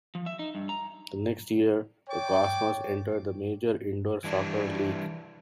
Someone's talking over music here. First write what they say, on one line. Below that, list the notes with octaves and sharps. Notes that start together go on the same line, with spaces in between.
The next year, the Cosmos entered the Major Indoor Soccer League.
F3
E5
D#4
G2
A#5
C#5 D5 G5 D6
E3 G3 D4